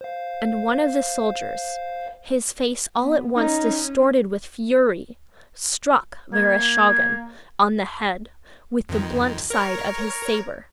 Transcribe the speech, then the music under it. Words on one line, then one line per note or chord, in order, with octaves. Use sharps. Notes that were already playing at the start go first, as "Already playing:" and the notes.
And one of the soldiers, his face all at once distorted with fury, struck Vereshchagin on the head with the blunt side of his saber.
C5 F5
B3
C#4 D#4
A#3 G#6
F2 D#3
A#4 C#5